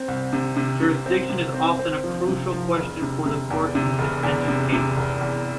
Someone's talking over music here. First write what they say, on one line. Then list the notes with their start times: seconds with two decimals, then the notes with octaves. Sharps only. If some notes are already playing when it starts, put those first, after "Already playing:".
Jurisdiction is often a crucial question for the Court in contentious cases.
Already playing: C4
0.08 C2
0.33 C3
0.57 C3
0.81 C3
1.06 C4
1.30 C3
1.54 C4
1.79 C4
2.04 F3
2.28 C3
2.53 F3
2.77 E1
3.02 C3
3.26 C3
3.50 E2
3.75 C3
3.99 E1
4.23 E2
4.48 C3
4.72 C3
4.97 E1
5.21 E2